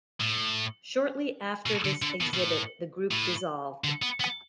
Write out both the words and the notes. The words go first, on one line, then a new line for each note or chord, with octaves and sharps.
Shortly after this exhibit, the group dissolved.
A2
B2
D3
D3
B2
B2
A2
A2
D3
B3
B3